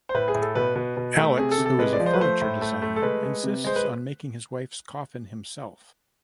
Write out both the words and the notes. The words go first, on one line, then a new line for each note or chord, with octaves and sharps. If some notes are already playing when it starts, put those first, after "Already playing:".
Alex, who is a furniture designer, insists on making his wife's coffin himself.
C5
A2 B4
G#4
A2
A4
B2 B4
B2 B4
B2
A3
C3 G#4
A4
C3
A4
G#3 B4
D5
F3
C5
B4
A3 C5
A2
A3
A3
A4
G#3 B4
G#3
C3
G#3 C5
B4